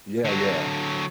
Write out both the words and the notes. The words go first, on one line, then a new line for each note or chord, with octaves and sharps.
Yeah, yeah.
D3 F#3